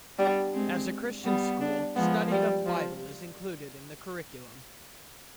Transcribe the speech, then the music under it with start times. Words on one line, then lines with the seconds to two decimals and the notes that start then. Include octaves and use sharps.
As a Christian school, studied of bible is included in the curriculum.
0.18 G3 B3 D4
0.54 G#3 C4
1.24 G3 B3
1.61 D4
1.95 F3 G#3 B3
2.31 G3
2.66 F3